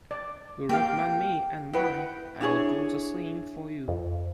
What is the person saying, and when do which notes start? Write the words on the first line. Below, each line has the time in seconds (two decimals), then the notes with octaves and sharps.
You recommend me and mine, I'll do the same for you.
0.11 D5
0.69 A#3 G4 F5 G5
1.73 E4 B4 F#5 G5
2.41 D4 E4 G#4 C#5
3.88 F2